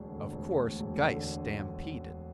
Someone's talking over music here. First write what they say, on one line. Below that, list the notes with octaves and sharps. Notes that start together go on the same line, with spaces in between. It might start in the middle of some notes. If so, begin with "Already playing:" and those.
Of course Geiss stampeded.
Already playing: E1 D2
D3
E1
D2
E1
D3